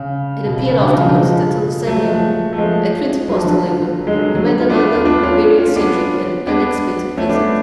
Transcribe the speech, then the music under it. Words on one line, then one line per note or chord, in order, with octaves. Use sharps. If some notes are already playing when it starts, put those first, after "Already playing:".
It appeared afterwards that on the same evening, at twenty past eleven, he made another very eccentric and unexpected visit.
Already playing: C#3
B2
C#3
C#3
B2 D3
C#3 F3
D3 F#3
F3 G#3
F#3 A3
F3 G#3
A3
F3 G#3
F#3
F3
D3 F#3
F#3
G#3
D3 F#3
D3 F#3
F4
B3 D4
F4
B3 D4
C#4 F4
C#4 F4
B3 D4
B3 D4
A3 C#4
B3 D4